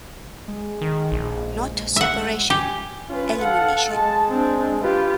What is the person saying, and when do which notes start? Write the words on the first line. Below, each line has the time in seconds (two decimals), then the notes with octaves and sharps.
Not separation, elimination.
0.48 G#3
0.82 D#3
1.12 A#1
1.96 E5 F#5
2.50 G4 G#5
3.09 C#4 F4 B4
3.42 A4 F5 F#5
3.90 G#3 A5
4.29 C4 D4
4.82 F4 G4 B4